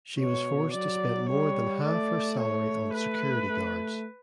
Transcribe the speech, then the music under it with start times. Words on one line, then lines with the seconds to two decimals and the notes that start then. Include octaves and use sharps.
She was forced to spend more than half her salary on security guards.
0.20 B2 C#5
0.75 F#3 D5
1.30 G3 C#5
1.85 A3 D5
2.40 C#5
2.94 B4
3.49 A3